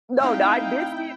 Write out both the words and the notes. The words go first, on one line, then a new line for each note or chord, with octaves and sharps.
No, now I did see it
A3 C4 D#4 E4 C5 F5 G5